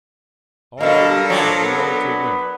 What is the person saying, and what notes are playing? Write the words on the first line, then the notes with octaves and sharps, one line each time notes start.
All we have we owe to women.
B2 D3 A4 A#4 F5
F3 F#3 D4
B3